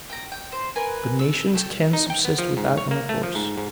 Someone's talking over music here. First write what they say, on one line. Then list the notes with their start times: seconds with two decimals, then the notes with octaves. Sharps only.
But nations can subsist without intercourse.
0.10 G5 A#5
0.32 G5
0.52 C5
0.76 A#4 B4 G#5
1.19 A3 E6
1.54 A3 A4 G5
1.93 D#4
2.10 G5
2.25 B3
2.38 F3
2.57 G#2
2.78 C#5
2.91 A#3
3.09 A3
3.23 F3
3.35 G#2
3.58 G#2